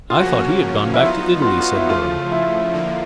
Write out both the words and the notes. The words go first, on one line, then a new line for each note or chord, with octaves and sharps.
"I thought he had gone back to Italy," said Durham.
F4
C#3 F3 A#3 C#4 F#4
E4
F#3 B3 D#4 F4
F4
F#4
F4
E4
C#3 F3 A3 F4
E4
D3 F3 A#3